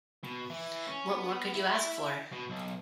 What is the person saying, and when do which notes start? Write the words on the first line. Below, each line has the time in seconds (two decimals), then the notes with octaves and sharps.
What more could you ask for?
0.24 B2
0.50 E3
0.87 C#4
1.09 B3
1.55 E4
2.32 B2
2.50 B1